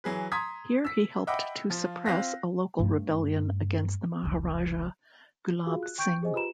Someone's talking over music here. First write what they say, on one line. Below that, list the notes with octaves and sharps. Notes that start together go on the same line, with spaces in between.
Here he helped to suppress a local rebellion against the Maharaja, Gulab Singh.
E3 F#3 G#4 B4
A#5 C6 D#6 G#6 B6
E6 B6
D#5 E5 F#5 G5 B5 D6
F3 F4
C4 F4 F5 F#6 A#6 B6
G2 A3
F1 C#2
F4 F#4 G#4 F5
F#6
G5 C#6 G6 D7
G4 G#4 C5 D#5 G#5
F4 G4 B4 A#5 B5 E7